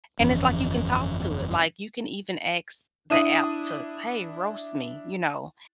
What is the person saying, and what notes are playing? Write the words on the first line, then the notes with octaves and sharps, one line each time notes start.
And it's like you can talk to it, like you can even ask the app to, "Hey, roast me," you know?
G1 F2 E3 C#4
D4 E4 D#6 D#7